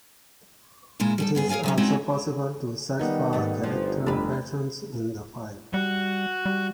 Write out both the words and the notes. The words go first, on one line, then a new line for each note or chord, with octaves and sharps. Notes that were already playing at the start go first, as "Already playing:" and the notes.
It is also possible to search for character patterns in the file.
A#2 C#3 G#3 D4 E4
G3 G#4 A4
G2 B3 G#4
G#4 A#4 D5 F5 G#5
D3 F#3 C#4
G#3 C4 C#4 D#4 E4 F#4
D#3 G3 B3 D#4
G#2 A3
G1 F3
F1 D4 B4
G3 F#4
G3